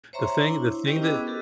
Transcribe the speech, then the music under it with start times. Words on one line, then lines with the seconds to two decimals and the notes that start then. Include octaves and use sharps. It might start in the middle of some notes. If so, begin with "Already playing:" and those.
The thing the thing that
0.13 C5 C#5 E5 A#5 C6 C#6
0.41 D4 E4
0.87 C#4 E4 G4 C5 D#5 G5
1.02 B3 F#4 G#4 B4 D6 E6
1.26 F#4 G4 A4 A#4